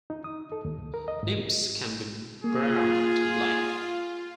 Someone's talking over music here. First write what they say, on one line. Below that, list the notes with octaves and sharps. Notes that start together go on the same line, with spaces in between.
Nymphs can be brown to black.
D#4
D#6
A4
D#2
C#2
A#4
D#5
G#2
A#3 F4 G#4